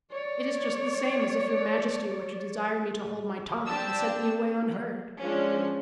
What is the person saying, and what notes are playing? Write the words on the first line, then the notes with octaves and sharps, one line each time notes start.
"It is just the same as if your majesty were to desire me to hold my tongue, and sent me away unheard."
C#5 D5
C4 D4 G4 G5 A5 E6
F3 G#3 C#4 D4